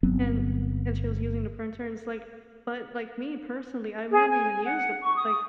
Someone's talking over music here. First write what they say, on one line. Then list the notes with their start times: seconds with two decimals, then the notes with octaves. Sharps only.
and and she was using the printer and it's like but, like, me personally, I've never even used a p like,
0.03 G1 F#3 B3 C4
4.12 G#4
4.31 G#5
4.65 F#5
5.03 C#6
5.17 D#6